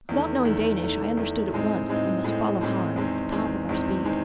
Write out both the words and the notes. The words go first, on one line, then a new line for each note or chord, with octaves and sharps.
Without knowing Danish I understood at once that we must follow Hans at the top of our speed.
E2 D#3 A3
E2 D#3 A3
E2 D#3 A3
E2 D#3 A3
A2 G#3 C4 D#4
A2 G#3 C4 D#4
A2 G#3 C4 D#4
A2 G#3 C4 D#4
E2 D#3 G#3 C4
E2 D#3 G#3 C4
E2 D#3 G#3 C4
D#3 G#3 C4